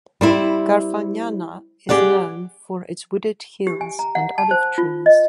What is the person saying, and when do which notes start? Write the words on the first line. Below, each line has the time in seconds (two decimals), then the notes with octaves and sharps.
Garfagnana is known for its wooded hills and olive trees.
0.21 G3 C4 E4
1.89 G4 G#4 D5 F#5
3.67 G4
3.81 G#5
3.99 A#5
4.15 F#5
4.38 A5
4.51 C5
4.78 F4
5.06 D#5